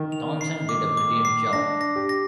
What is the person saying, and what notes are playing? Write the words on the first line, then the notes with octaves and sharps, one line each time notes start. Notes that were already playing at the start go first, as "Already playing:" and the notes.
Thomson did a brilliant job.
Already playing: D#3
F7
C7
D6
D6
C7
D4 A#6
A#6
G4
A#6